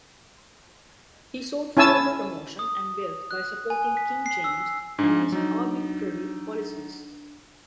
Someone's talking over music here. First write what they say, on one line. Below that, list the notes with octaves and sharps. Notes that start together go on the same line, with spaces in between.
He sought further promotion and wealth by supporting King James and his arbitrary policies.
C#4 E4 G#5 A5 E6
D#6
F#6
G#5
B6
C7
E6
G#2 F3 D4
F#3 D#4